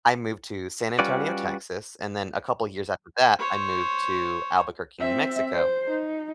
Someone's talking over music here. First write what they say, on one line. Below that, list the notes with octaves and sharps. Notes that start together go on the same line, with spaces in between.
I moved to San Antonio, Texas, and then a couple years after that, I moved to Albuquerque, New Mexico.
G3 C#4 F4 F#4 B4 D5
C5 C#5
C4 E5
C5
D#4